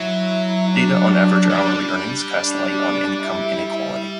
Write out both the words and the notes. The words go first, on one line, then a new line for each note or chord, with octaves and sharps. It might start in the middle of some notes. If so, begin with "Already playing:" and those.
Data on average hourly earnings cast light on income inequality.
Already playing: F#3 E4
D4
F#3
G3
D4
E4